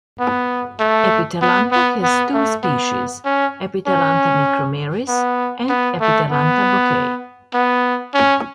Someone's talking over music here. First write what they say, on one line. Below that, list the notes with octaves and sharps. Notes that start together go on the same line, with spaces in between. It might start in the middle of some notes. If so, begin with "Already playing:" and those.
"Epithelantha" has two species, "Epithelantha micromeris" and "Epithelantha bokei".
B3
A3
B3
B3
B3
A3
B3
C#4
C#4
B3
B3
A3
B3
B3
C#4